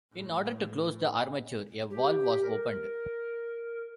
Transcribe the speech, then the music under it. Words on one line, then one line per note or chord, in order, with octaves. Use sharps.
In order to close the armature a valve was opened.
A2
G4
A#4